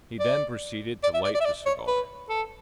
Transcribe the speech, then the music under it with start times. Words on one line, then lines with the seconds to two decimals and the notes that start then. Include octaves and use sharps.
He then proceeded to light the cigar.
0.20 D5
1.03 D5
1.14 E5
1.24 D5
1.35 D5
1.41 E5
1.45 D5
1.66 C#5
1.88 B4
2.29 A4